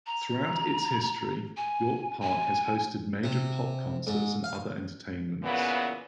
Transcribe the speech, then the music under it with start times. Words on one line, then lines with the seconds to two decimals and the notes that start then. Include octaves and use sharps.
Throughout its history, York Park has hosted major pop concerts and other entertainments.
0.07 A#5
1.57 G#5
2.21 G#5
3.24 C3
4.07 G#2
4.44 F5
5.43 A#2 C#3 E3 B3